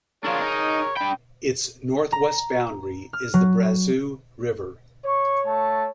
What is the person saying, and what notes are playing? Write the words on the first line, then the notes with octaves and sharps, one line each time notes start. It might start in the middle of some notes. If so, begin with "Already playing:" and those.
Its northwest boundary is the Brazeau River.
D4 F4 G#4 A#4 C#5
D#4
D4 G5 B5
A#5
F6
F#3
C#5 C#6
A3 A5